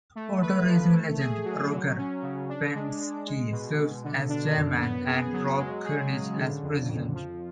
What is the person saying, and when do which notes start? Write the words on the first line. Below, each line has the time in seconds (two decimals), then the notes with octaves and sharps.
Auto racing legend Roger Penske serves as chairman, and Rob Kurnick as president.
0.15 A3
0.42 B4
0.67 F3
0.94 A3
1.19 G#4
1.45 F#3
1.72 F#3
1.97 C#4
2.22 C#3
2.49 D4
2.75 G#3
3.00 G#3
3.27 G#3
3.51 B2
3.78 B2
4.04 D3
4.29 D4
4.56 F#2
4.81 B3
5.07 G#4
5.33 F#3
5.58 G#3
5.85 G#4
6.11 C#3
6.37 D3
6.62 F2
6.88 F2
7.14 F3